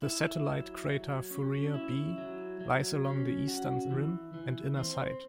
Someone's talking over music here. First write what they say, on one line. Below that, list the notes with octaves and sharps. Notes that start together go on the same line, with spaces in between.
The satellite crater Fourier B lies along the eastern rim and inner side.
E4
F#3
F#3
C#4
E4
F#3
F#3
C#4
F#4
E3
E3
C4